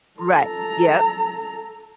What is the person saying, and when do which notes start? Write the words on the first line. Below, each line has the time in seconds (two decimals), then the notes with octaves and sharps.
Right, yep.
0.20 A4 A#5